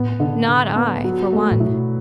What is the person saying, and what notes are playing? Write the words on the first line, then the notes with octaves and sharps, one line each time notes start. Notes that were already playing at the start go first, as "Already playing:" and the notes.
Not I, for one....
Already playing: A2 B3
D3
D3
B3
F#3
A3
A2
B2 E4